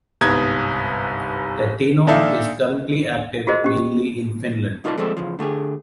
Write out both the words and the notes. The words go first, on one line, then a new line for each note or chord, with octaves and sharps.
Tateno is currently active mainly in Finland.
G1 C2 G#2 B3 D#6 G#6
A#2 D4 D#4 A4 E5 F5
F4 F#4 G#4 A#4 C5 D#5
C#4 G4
C2 D#4 F4 A#4 D5 A5
F3 G#3 A3 C4 A4 D5
E2 C#3 F3
D3 A3 G4 G#4